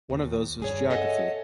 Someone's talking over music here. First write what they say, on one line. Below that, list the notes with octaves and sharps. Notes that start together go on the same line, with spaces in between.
One of those was geography.
D#2
G2 G#4 C#5
A4 C#5 D#5 E5 F#5 G#5